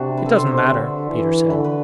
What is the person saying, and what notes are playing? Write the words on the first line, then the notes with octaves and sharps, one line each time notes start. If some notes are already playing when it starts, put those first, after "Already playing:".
"It doesn't matter," Peter said.
Already playing: C3 D4 F#4
B4
A4
C5
C5
B4
D3
E3
D3 B4
B4